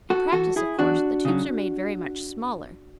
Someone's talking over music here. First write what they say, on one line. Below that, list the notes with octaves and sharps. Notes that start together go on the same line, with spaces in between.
In practice, of course, the tubes are made very much smaller.
F#4 A4
E3 F#4 A4
E4 G#4
E2 D4 F#4
C#3 F#3